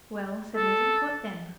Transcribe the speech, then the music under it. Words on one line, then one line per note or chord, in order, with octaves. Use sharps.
"Well," said Lizzie,--"what then?"
A4